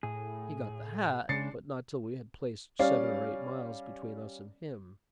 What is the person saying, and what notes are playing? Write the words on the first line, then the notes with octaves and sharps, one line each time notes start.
He got the hat, but not till we had placed seven or eight miles between us and him.
A2 G#4
C#3 G#3 D4 A6 C7 C#7
G3 C#4 D5 F5